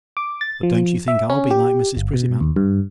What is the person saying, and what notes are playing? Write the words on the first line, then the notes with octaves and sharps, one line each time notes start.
But don't you think I'll be like Mrs. Prettyman.
D6
A6
F3
E5
C#4
G4
G1
B2
D#2
G2